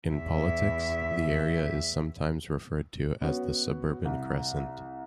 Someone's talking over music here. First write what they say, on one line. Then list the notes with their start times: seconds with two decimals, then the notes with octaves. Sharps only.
In politics, the area is sometimes referred to as the "suburban crescent".
0.10 E2 E5
3.21 B3 C#4 F#4
4.05 C2